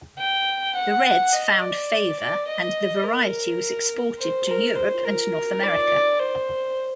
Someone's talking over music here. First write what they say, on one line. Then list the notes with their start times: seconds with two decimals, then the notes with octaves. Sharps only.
The 'Reds' found favour and the variety was exported to Europe and North America.
0.19 G5
0.75 F#5
1.33 D#5
1.61 D5
2.19 D5
2.48 D#5
3.04 A#4
4.19 C5
4.47 A#4
4.76 C5
5.05 A#4
5.63 D5
6.20 C5